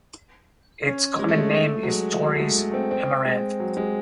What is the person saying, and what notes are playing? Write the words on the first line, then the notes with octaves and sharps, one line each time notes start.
Its common name is Torrey's Amaranth.
C#4
G#3
A3
G#3
A3
F#3
G#3
F#3
A3
G#3
A3
A3
C4
C4
G#3
F#3
G#3